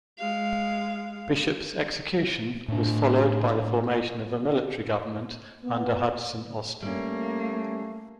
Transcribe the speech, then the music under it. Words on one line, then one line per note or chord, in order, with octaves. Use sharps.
Bishop's execution was followed by the formation of a military government under Hudson Austin.
G#3 F5
A2 D4
B3
G3 A3 A#3 C#4